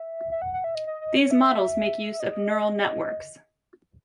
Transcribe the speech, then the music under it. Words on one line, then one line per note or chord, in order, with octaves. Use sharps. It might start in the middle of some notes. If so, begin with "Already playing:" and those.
These models make use of Neural networks.
Already playing: E5
E5
F#5
F#5
E5
D#5
D#5
D#5
C#5
E5
E5
D#5